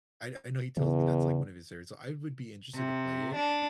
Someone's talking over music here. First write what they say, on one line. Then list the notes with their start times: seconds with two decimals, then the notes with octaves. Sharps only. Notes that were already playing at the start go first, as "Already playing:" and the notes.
I I know he tells me that's, like, one of his favorites. So I would be interested to play it.
0.77 E2 C#3
2.75 C3
3.35 D4